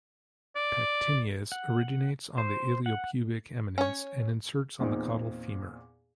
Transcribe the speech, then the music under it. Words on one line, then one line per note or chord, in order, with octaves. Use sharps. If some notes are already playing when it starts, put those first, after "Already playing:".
Pectineus: originates on the iliopubic eminence and inserts on the caudal femur.
D5
F#5
C5
F#5
C#4 C#5
E2 A#2 C4 D#4